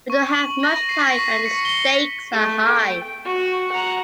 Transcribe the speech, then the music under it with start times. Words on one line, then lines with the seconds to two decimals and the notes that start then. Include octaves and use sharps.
We don't have much time, and the stakes are high.
0.10 C#6
0.34 F#7
0.63 A#6
0.76 D#7
0.89 C7
1.03 B6
1.19 C#6
1.45 C#7
1.65 G7
2.32 A3
2.69 G5
3.25 F#4
3.72 F#5 A#5